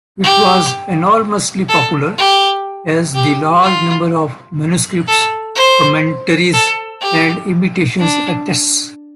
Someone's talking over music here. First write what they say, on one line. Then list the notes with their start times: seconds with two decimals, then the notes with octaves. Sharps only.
It was enormously popular, as the large number of manuscripts, commentaries, and imitations attests.
0.24 G4
1.69 A4
2.18 G4
3.15 G4
3.63 F4
5.08 A4
5.56 C5
6.53 A4
7.01 G4
7.99 D4